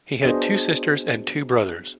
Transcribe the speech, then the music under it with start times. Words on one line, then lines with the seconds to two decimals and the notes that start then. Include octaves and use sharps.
He had two sisters and two brothers.
0.25 B3 D4 F#4 G#4 C5 D#5